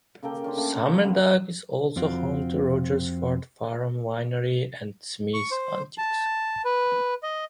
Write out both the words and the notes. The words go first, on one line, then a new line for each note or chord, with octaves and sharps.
Sumerduck is also home to Rogers Ford Farm Winery and Smith's Antiques.
C#3 A#3 A4 G5
C#4 D4 G4 C5
A3 A#3 G4
C4
C#3 B3
F2 F3 C4 F4 F#4
C#6
C5
A5
B4
D#5